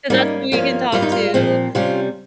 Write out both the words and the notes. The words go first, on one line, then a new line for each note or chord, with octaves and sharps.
'cause that's who we can talk to
G#2 G3 A#3 C#4 D#4
G2 F3 A#3 C#4
G2 G3 A#3 F4
D#4
F4
A#2 F3 C4
C3 G3 C#4 F4